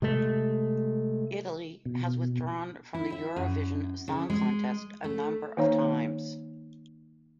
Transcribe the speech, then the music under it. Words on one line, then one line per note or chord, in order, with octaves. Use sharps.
Italy has withdrawn from the Eurovision Song Contest a number of times.
C3 G#3 A3
B2
E4
E5
F#2
C#3
G#3
A3
D#3 A#3 D#4 C#5 F5 A#5